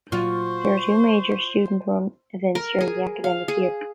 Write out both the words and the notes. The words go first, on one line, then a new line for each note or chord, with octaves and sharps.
There are two major student-run events during the academic year.
A#2 F#3 F4 F#4 C5 C#6
A#4
G#4
F5
G#4